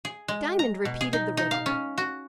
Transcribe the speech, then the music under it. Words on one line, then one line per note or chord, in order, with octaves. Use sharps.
Diamond repeated the riddle.
G#4
G#3
A#5
B2
G#4
D#4
D#4
F5
C#4
F#4